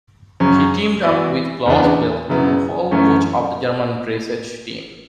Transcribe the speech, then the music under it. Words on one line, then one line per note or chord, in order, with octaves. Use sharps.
She teamed up with Klaus Balkenhol, coach of the German dressage team.
F#2 C#3 F#3 C#4
E3 B3 F#4 B4 D5
E2 C#3 E3 B3 D4
F#2 C#3 F#3 B3 E4
F#2 E3 A3 C#4